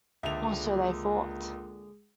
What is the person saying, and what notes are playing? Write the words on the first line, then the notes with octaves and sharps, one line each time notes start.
Or so they thought.
C#2 A#2 D3 G#3 G#4 E5 D#6 F7